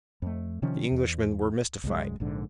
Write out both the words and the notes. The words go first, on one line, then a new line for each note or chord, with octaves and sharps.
The Englishmen were mystified.
F2 A3
C3 D#3 F3 C#4
E2
C2 F#2 G#3
A#1 G#2 D3